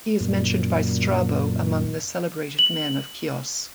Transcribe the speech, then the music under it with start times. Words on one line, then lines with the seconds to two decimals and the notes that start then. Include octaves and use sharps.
He is mentioned by Strabo among the celebrated men of Chios.
0.20 F#2 A#2
2.59 F#7